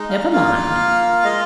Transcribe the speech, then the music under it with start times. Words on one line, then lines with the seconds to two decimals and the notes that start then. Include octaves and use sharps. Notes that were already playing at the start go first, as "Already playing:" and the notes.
Never mind.'
Already playing: G#3 D#4
0.10 F5
0.32 A#3 F4 F5
1.24 G#3 F4 D#5